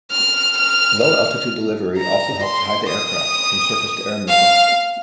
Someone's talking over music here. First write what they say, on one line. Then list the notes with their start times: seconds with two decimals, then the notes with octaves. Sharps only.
Low-altitude delivery also helps hide the aircraft from surface-to-air missiles.
0.12 F6
0.58 F6
1.04 F6
1.98 A#5
2.44 C6
2.90 D#6
4.29 F5